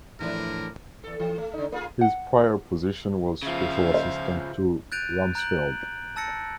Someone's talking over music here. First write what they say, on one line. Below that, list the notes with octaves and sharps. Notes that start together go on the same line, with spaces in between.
His prior position was Special Assistant to Rumsfeld.
A2 D3 E3 F3 A3 D4 A#4
E2 A4
E3
A3
C#3 D#4
A#3 F4 G#4
F#5
C#3 F3 E5 F5
C5
F#6 G6 A6 D7 D#7 F7
A#5 F#6 G6 D7 F#7
A5 E6 A6 A#6 C#7